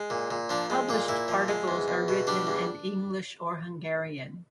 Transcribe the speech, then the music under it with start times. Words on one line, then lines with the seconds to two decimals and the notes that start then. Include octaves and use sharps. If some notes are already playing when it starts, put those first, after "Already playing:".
Published articles are written in English or Hungarian.
Already playing: G#3
0.10 A#2
0.31 A#2
0.49 F3 D4
0.70 G#3
0.89 A#2 F4
1.08 A#2 E4
1.28 F3
1.48 G#3
1.68 E2
1.88 E2
2.08 B2
2.27 G3 D4
2.47 E2